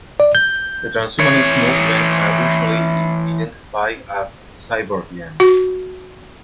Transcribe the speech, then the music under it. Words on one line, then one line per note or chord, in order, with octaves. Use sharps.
The transhumanist movement are usually identified as Cyborgians.
D5
G6
E3 C#5
F#4